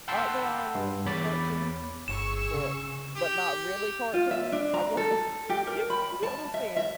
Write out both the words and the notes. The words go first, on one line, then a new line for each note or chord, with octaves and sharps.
aren't they all, like, cartoons that but, not really cartoons? I guess that's what you you get what I'm saying?
F#5 G5 A5 B5 C6 E6
G2
E2 C#5 B5 D6 A6
G1 G#4 C#6 E6 E7
C#3
G4
F4
E5
D4
A#5
A4
G4
A#4
B5
A5
E5
E5